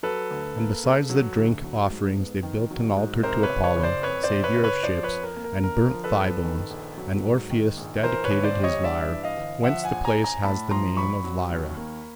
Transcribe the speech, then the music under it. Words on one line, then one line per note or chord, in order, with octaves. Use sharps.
And besides the drink offerings they built an altar to Apollo, saviour of ships, and burnt thigh bones; and Orpheus dedicated his lyre; whence the place has the name of Lyra.
F#3 A4 B4
D2
A#3
C#3
F#3
D2
F#3
G#2
B3
D#3
F#3
G#2
C3 A#4 C5
B4 C#5
F#1
B4 C#5
F#1
C5 D5
F2 B4 C#5
C5 D5
C3
B4 C#5
F#1
B4 C#5
F3 C5 D5
B4 C#5
F2
A#4
A#3
A#4
D3 A#4
F3
A4 B4
F2
D#3
A#1
F#3
G#2
D#3
A#1
E3 A#4 C5
B4 C#5
G1
C5 D5
G3
C#5 D#5
G2 D5 E5
E3
D#5 F5
G1
F3 E5 F#5
F#5 G#5
A#1
G#5 A#5
A#1
G#5 A#5
A2 A5 B5
F3 A#5 C6
A#1 B5 C#6
F#3
D#2
A#3